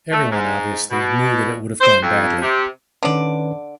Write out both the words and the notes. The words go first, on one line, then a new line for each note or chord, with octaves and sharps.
Everyone, obviously, knew that it would’ve gone badly.
A3
G#2
B2
C5
F2
C3
D3 D#3 C#4 B4 D5